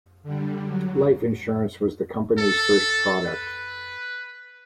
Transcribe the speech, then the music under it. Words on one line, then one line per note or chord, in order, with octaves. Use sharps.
Life insurance was the company's first product.
D3 G3
F#3
A4
B4